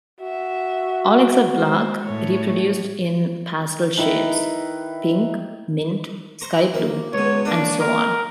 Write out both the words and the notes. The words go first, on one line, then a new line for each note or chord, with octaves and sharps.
All except black reproduced in pastel shades: pink, mint, sky blue, and so on.
F#4 E5
G#3 C5
A2 C#5
D#3 E4 B4
C5 A#5 C#6
A#3
C#2 B2 C#5
A#3 C#4 D4
A#4